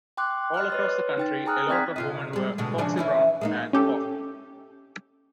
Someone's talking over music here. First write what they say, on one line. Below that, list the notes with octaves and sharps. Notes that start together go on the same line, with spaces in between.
All across the country, a lot of women were "Foxy Brown" and "Coffy".
G5 C6 D6 F#6
D#5 C6 F6 F#6
B4 C#5 A6
D#4 G5 A6
G#4 G#5 A#5 D#6 F6 F#6
C4 D5 G5 G#6 B6
C3 F4 D#5
G3 G#3
B2 D3 G#3
C#3 F3 D4
E3 C#4 E4
G#3 A#3 D#4
C#4 G4 A4